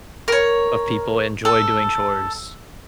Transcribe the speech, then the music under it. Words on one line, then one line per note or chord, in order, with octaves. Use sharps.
of people enjoy doing chores.
A#4 C#5
A4